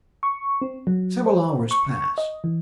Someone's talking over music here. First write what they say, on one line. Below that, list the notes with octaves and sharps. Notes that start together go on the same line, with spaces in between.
Several hours passed.
C#6
C4
F#3
C5
C#6
D#5
E3